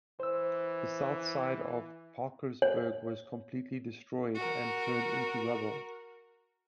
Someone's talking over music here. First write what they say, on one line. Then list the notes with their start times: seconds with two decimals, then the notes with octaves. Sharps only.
The south side of Parkersburg was completely destroyed and turned into rubble.
0.20 E3 C5 E6
2.62 C#5
4.35 F#4 A#4